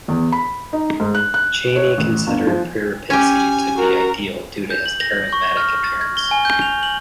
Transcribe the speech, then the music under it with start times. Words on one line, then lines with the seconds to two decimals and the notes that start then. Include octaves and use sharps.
Cheney considered Piripitzi to be ideal due to his charismatic appearance.
0.08 E2
0.32 B5
0.73 D#4
1.00 G#2
1.15 F#6
1.34 F#6
1.76 C#5
1.98 A1
2.27 G1
2.47 F3
3.10 C#4 G4 G#5
3.76 F#4 A#4 A#5
4.70 G6
4.86 F#7
5.01 A#6
5.33 C#6
5.57 F6
5.84 A6
6.01 G#6
6.17 G7
6.31 G#5
6.45 G6
6.62 F7
6.83 F#7